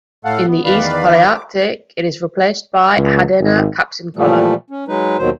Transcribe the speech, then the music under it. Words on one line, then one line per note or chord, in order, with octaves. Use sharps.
In the East Palearctic it is replaced by "Hadena capsincola".
A2 A3 A4 F5 F#5
B3
E2 D#3 B4 D5 F5 B5
D6
C#2
G#1
A#2 E3 F3 G3 A3
C#4
F#3 G#3 D#4 B4
D#2 B2 D#3 F#3 C5